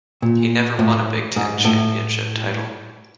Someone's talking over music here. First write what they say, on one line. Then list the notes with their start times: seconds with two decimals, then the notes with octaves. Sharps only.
He never won a Big Ten championship title.
0.22 A#2
0.79 A2
1.36 G#2
1.64 A2